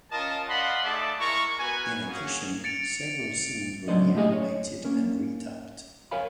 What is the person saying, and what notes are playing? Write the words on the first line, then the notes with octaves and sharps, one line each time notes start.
In addition, several scenes were re-animated and re-dubbed.
C#4 F4 A#4 D#5 A5
D5 D#5 F5 F#5 B5 C6
A3 D#4 G#4 D5 E5 A5
G#3 E4 A#4 A#5 C#6
B3 F#4 A#4 B4 G#5
A#3 C#4 F#4 G#4
A6 C#7 D7 F7
F#3 G#3 D4 C5 D5 D#5
A3 E4 G4 G#4 D#5 G#5
C#5
A#3 C#4 A#4
A#4 C#5 F5 G#5 B5